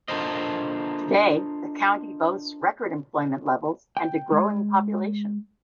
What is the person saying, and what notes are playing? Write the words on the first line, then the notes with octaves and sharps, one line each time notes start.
Today, the county boasts record employment levels and a growing population.
D4 F4 A4 A#4 C5 D#5
G5
G#3